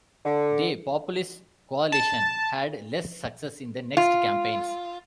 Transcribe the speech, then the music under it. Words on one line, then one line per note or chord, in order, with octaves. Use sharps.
They Populist coalition had less success in the next campaigns.
D3
A5
F4